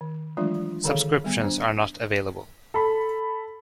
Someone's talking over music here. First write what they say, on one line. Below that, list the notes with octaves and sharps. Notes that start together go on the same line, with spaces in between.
Subscriptions are not available.
D#3
E3 F#3 G#3 A3 D4 F4
D3 D#3 G#4 A4 C#5 F5
G3 B3
D4 C5
A4 B5